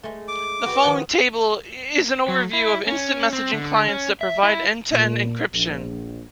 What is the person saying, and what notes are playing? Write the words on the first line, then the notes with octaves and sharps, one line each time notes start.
The following table is an overview of instant messaging clients that provide end-to-end encryption.
G#3 A3
D6
F#4 B4 G5
D#3 F3 F#5
F#3
E4
C#4
C4
D3
C#4
E5
E4
A#2
A#1